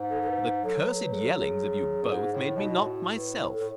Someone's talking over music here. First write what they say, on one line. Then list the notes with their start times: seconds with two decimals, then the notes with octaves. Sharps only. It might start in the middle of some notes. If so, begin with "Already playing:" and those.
But the cursed yellings of you both made me not myself.
Already playing: G#2
0.10 A4
0.22 A4
0.28 B4
0.64 F#3 A4
0.82 B4
0.93 A4
1.00 B4
1.13 G#4
1.18 A4
1.30 F#4
1.36 G#4
2.02 F#2
2.08 G#2
2.33 A2
2.56 B2 D#4
2.69 E4
2.80 A2 F#4
3.17 B4
3.52 A4
3.60 A2